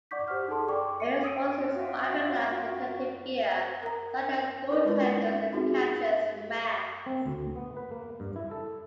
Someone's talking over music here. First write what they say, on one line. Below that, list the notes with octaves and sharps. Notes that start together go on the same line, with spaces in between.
Many sports use fiberglass protective gear, such as goaltenders' and catchers' masks.
D5 F#5 C#6 D6 G6 B6
G4 C5 F#5 F6
D#4 G#4 A4 A5 C6
D5 G5 C#6 D6
C#7 D#7
D#6 E6 D7 D#7
F4 F#4 E5 G5
A#4 A#5
D#4 A#4 B4 D5 D#5
G#3 C#4 E4 F4 B4 D5
C4 D#4 F4 F#4 G#4
C4
D2
B3
B4
A#3
G2
E4
A4